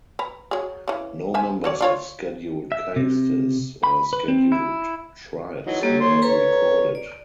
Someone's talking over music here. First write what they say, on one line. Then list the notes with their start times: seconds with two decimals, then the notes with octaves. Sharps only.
No members of scheduled castes or scheduled tribes were recorded.
0.19 B4 A#5
0.51 F#3 G#4
0.88 C#3 E3
1.34 C5 E5 G#5
1.64 F#4 C#5 D5
1.81 D4 F4 C#5
2.72 E5
2.96 C3
3.84 B5
4.13 B4
4.28 C4
4.52 E4
5.66 E3 F#3 D#4
5.81 F#3 G3 A#3 A4 C#5
6.00 C#5 C6
6.22 A4 B4 C#5 A#5
6.95 D5